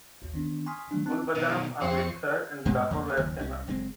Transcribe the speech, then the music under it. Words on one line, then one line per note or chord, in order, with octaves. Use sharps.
Gulbadan of Amritsar and Lahore were famous.
G#1 D#2
D#3 B3 C#4 D4
G#5 C6 C#6 D#6 F6 B6
D#3 F#3 G3 A3 D4
C4 D#4 A5 F#6
B2 D#3
F2 C4 C5 C#6
G2 A#2 G#3 A#3
E2 C#3 A#3
F#1 D#2
C2 C#4
F#1 G#3 C4